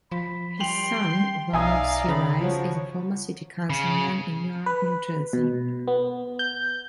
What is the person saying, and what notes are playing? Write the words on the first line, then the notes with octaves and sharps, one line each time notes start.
His son, Ronald C. Rice, is a former city councilman in Newark, New Jersey.
F3 B5
G3 G5 C6 F7 F#7
B1 D#4 D5 E5 F5 G#5 A#5 D#6
C#3 B5
F3 F#4 C#5
C#3
B4
B2
B3
G6